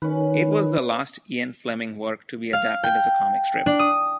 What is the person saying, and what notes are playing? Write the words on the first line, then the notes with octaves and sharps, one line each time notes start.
It was the last Ian Fleming work to be adapted as a comic strip.
D#3 C#4 B4
F5
G5
D4
D#6